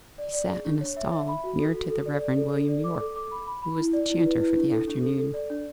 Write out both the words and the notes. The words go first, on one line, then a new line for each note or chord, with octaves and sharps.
He sat in a stall near to the Reverend William Yorke, who was the chanter for the afternoon.
D5
D5
G#4
D4
C#5
E5
E5
B5
F#4
A4
F#4
A4
D5
D5
A4
A4
D5
D6
A4
D6
B5
B5
B5
E4
D5
E4
B4
E4
D4
A4
D4
A4
A4
D5
D4